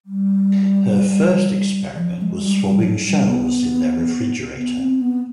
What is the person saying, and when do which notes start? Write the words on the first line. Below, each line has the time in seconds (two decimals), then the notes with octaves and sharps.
Her first experiment was swabbing shelves in their refrigerator.
0.06 G3
1.96 E3
1.99 F3
2.22 G#3
2.42 G3
2.64 G3
2.81 F3
2.85 F#3
3.07 G3
3.29 B3
4.57 B3
4.79 C4
5.01 B3